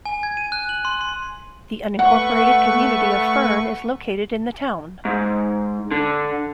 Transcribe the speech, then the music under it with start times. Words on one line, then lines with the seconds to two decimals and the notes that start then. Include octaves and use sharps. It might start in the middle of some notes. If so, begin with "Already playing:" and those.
The unincorporated community of Fern is located in the town.
0.05 G#5
0.23 G#6
0.37 D#7
0.52 F#6
0.69 F#7
0.85 C6
1.01 C6
1.99 A3 B4 F#5 C#6
5.05 G#2
5.91 D3